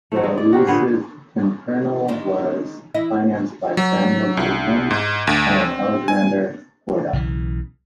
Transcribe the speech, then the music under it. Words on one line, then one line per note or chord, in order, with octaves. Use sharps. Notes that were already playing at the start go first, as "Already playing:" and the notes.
"The Elusive Pimpernel" was financed by Samuel Goldwyn and Alexander Korda.
F#3 A3
G#3
D5
F#4 G4 A#4 C5
A#2 D3 B3 G#4
D#3 G#3 D#4
E3 E4 D#5
F#3
C2
G#2
D2
C4
G#5
B1 C#3 E3